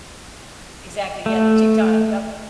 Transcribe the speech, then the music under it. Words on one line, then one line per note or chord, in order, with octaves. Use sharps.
Exactly, yeah, the cheap time yep.
A3